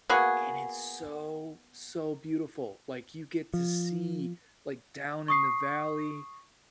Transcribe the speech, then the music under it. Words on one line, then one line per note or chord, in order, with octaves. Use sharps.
and it's so, so beautiful. Like, you get to see, like, down in the valley,
A#3 B3 F#4 G#4
F3
C#6 D#6 C7